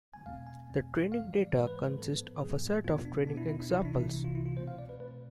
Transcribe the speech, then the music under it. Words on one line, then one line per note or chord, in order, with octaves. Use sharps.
The training data consist of a set of "training examples".
G#5
E2 B2 A3 C4 F5
G#5
E2 B2 A3 C4
G#2 E3 G#3 F5
D5
G#2 E3 G#3 B4
B4
C5
B4
A2 F3 B3 A4
A2 F3 B3 G#4
E2 B2 B3 F4
D4
E2 B2 B3 D4
E4
E4
D4
C2 C3 E3 E4
E4
D4
E4
C2 C3 E3
F4
E4
F4
B2 A3 C4 C5
F5
D5
B4
B2 A3 C4 B4